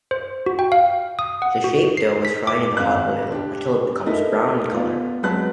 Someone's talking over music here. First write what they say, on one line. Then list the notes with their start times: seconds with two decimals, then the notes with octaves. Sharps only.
The shaped dough is fried in hot oil, until it becomes brown in colour.
0.11 C5
0.46 F#4
0.59 G5
0.72 F5
1.19 D#6
1.42 F#5
1.64 F#4
1.97 C7
2.25 B6
2.47 D6
2.77 G#1 F5 F#6
3.32 D4 G4
4.06 A3 D#4 E4 A#4 B4
4.72 B3 F4
5.23 F#3 G#3 C4 B4 A5 F#6